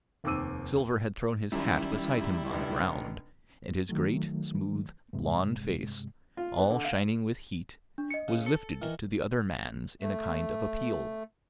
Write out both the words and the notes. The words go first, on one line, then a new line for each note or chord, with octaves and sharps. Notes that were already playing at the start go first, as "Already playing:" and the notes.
Silver had thrown his hat beside him on the ground, and his great, smooth, blond face, all shining with heat, was lifted to the other man's in a kind of appeal.
F1 D#2 C4 D6 E6 D#7
F#2 D#3 G3 E4
F1 A#1
D#3 F#3 A3
G2 C3 G#3
F4
B3
D3
F5
D4
D#5 C#7
C#3
A4 C#7
D#3 E3 A#4
A3